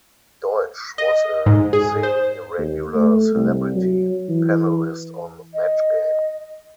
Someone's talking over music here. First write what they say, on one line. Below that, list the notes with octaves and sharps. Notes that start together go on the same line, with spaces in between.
Deutsch was a semi-regular celebrity panelist on "Match Game".
D#5
G#2
G#4
C5
D#2
A3
C2
F#3
E3
D#5